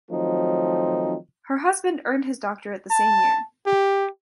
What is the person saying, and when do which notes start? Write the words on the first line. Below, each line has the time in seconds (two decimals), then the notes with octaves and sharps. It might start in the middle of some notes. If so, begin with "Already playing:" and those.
Her husband earned his doctorate the same year.
0.11 D#3 F3 F#3 A3 C4 D#4
2.90 A5
3.66 G4